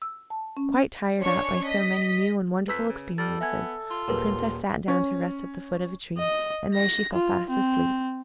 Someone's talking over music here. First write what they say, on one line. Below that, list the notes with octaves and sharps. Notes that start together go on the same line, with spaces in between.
Quite tired out by so many new and wonderful experiences, the Princess sat down to rest at the foot of a tree, and there she fell fast asleep.
E6
A5
C#4
C#4 D4 C#5 C#6
D#5 B6
F2 B4 E6 B6
C#3
G3 A4 F6 A6
B3 E5 G#5 G#6
F4
D#1 G#4 A#4 B4
C#4
D#5
A#6
F4
C4